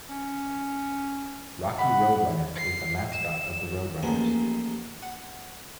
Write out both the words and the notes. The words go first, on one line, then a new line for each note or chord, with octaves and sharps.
Rocky RoadRunner is the mascot of the RoadRunners.
C#4
F#5 B5
C7
E7
A1 D#2 F3 A#3 B3 G#4
F#5